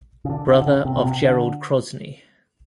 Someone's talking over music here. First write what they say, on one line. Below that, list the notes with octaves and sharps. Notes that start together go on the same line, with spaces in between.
Brother of Gerald Krosney.
C#3
D3
D3
D3
C#3
C3
B2
C3
D3